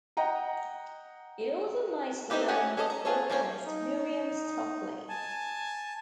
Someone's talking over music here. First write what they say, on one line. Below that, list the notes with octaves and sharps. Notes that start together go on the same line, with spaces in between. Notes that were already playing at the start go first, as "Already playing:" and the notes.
It also made the name of vocalist Miriam Stockley.
D#5 F#5 G5 A#5
C4 D#4 E4 G4 B4
C#4 F#4 G#4 F#5 G5
C#4 G#4 A4 D5 D#5
A#5
F4 G#4 A4 C#5
F3 A#3 C4 C#4 C#5
D#4
G#5 A5